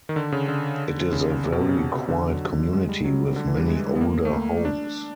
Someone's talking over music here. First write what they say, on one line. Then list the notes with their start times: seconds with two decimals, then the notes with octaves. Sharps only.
It is a very quiet community with many older homes.
0.09 D#3
0.16 D3
0.32 C#3
0.48 D3
1.12 C#3
1.44 C3
1.52 B2
1.60 C3
1.69 C#3
1.76 C3
1.92 B2
2.08 D3
2.29 F#3
2.73 G#3
2.89 G3
3.05 F#3
3.36 D3
3.47 E3
3.58 G3
3.68 G#3
3.95 B3
4.01 A#3
4.25 A3
4.33 A#3
4.65 D4